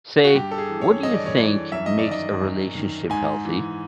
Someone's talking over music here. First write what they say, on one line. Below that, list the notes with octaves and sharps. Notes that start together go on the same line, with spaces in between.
Say, what do you think makes a relationship healthy?
F#4
G2 G4
A4
G#4
E3
C#5
G2 D#5
D5
C#5
E3 D5
F#2 E5
D#5
D5
D#3 D#5
F#2
D#3
G#2 G#5
E3